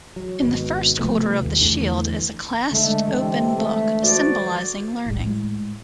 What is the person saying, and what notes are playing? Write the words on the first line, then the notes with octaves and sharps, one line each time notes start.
In the first quarter of the shield is a clasped open book, symbolising learning.
F#3
G#1 B2
C3 F3 A3 B3
D#2
E2 D3 E3 A3
D3 G#3 A3 D4
C3 E3 A4
A3
F#4 C5 D5
A2 G#3